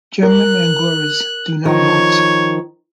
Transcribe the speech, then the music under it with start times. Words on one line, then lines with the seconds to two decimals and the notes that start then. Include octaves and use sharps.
German Angoras do not moult.
0.23 A#4 F#6
1.65 D#3 F3 C#5